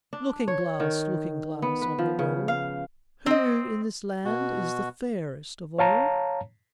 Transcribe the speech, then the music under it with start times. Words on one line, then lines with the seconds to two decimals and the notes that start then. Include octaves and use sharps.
"Looking-glass, Looking-glass, on the wall, Who in this land is the fairest of all?"
0.13 D4
0.48 C#5
0.80 D#3
1.62 B3
1.82 B4
1.99 F3
2.19 C#3
2.48 F5
3.26 C4 D#5
4.25 B2 F#4
5.79 C#5 F5 A5 A#5